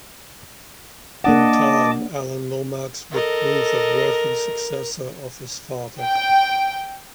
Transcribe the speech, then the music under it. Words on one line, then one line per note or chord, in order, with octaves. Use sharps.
In time, Alan Lomax would prove a worthy successor of his father.
A#3 D4 D#5 F#5 A5 D6
A4 A#4 D#5
G5